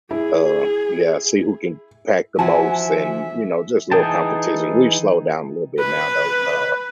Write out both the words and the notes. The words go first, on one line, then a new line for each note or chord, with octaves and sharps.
Uh, yeah. See who can pack the most and, you know, just little competition. We've slowed down a little bit now, though, uh,
E4 G#4
E3 F3 F#4 E5 G#5
E3 D#4 G#4 G5 A5
B4